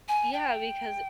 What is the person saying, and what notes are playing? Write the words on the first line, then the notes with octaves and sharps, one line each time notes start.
Yeah, because
G#5
G5